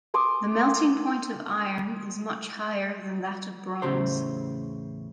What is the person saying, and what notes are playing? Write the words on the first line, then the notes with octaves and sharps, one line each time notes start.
The melting point of iron is much higher than that of bronze.
G#5 C6 D6 D#6
E2 A2 C#3 G4 C5